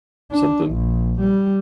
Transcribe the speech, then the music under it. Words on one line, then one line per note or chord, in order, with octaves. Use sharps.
or something?
D4
A#1
G3